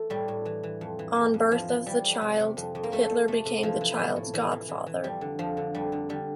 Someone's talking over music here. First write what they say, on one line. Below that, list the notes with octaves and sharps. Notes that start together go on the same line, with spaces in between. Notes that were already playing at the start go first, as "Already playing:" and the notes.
On birth of the child, Hitler became the child's godfather.
Already playing: E3 A3
A2 G3
A2
E3
E3
F2
E3
F2
F2
E3 F3
E3
E3 G3
F2
C3
C3
F2
F2
A#3
F2 A3
F2
C3 A3
C3
E3 F3
E3
E3
A2
E3
E3
E3
E3
F2 G3
D3
F2 F3
D3
F2 G3
D3
D3 G3